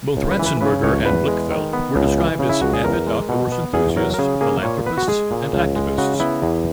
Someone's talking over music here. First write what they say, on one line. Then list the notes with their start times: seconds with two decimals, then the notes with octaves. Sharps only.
Both Ratzenberger and Blichfeldt were described as "avid outdoors enthusiasts, philanthropists, and activists".
0.17 C#2
0.32 B4
0.39 E3
0.46 B4
0.61 C#3 B4
0.83 C#2 C#5
1.05 E2 B4
1.28 G#3
1.51 D#3
1.73 B3
1.96 C#2
2.18 E3
2.39 C#3
2.49 E4
2.62 C#2 F#4
2.73 G#4
2.84 E2 A#4
3.07 G#3
3.29 B2
3.52 B3
3.74 E2 G#4
3.96 F#3 A#4
4.14 A#4
4.19 C#3 G#4
4.41 A#3 G#4
4.63 A#2 C#5
4.86 B3 B4
4.98 F#4
5.08 G#3 G#4
5.31 A#2
5.53 C#2
5.76 G#3
5.98 C#3 F#4
6.20 B3 E4
6.42 E2